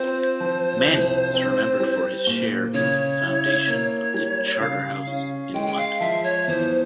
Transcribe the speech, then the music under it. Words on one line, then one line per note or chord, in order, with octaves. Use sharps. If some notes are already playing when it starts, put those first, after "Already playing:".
Manny is remembered for his share in the foundation of the Charterhouse in London.
Already playing: C4 F4 C5
F3
C2
C4
G3
A#2
C#3 C#5
E4
A#3 C#5
G3
C#3 F5
C#4
G#3 G5
G5
F5
F3 E5
C#5
E2 C5